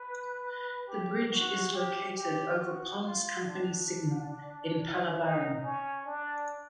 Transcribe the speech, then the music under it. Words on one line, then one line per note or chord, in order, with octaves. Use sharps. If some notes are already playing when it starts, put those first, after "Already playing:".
The Bridge is located over Ponds Company Signal in Pallavaram.
Already playing: B4
G4
F#4
G4
G4
F#4
F4
D4
D#4
C#4
D4